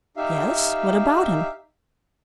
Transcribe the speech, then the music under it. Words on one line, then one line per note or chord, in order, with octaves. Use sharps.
"Yes, what about him?"
D#4 G4 E5 F5